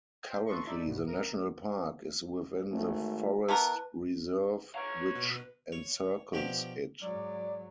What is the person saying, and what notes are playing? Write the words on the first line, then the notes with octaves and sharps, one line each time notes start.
Currently the national park is within the forest reserve which encircles it.
C5 G5
A4 B4 D#5 C6 C#6
D#4 E4 A4 D5 E5
B1 G2 B2
A#4
G#1 A3
E3 B3 A#4 B4 A5
B4 C#5 A#5
B2
C#5
B2 F3 D4 G4
G#2 F#3 D5